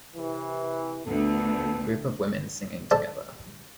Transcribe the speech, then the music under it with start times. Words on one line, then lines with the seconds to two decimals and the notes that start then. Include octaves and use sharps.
A group of women singing together.
0.15 C3 E3
1.06 D2 A#2 B3 A4
2.91 A4 C5 D5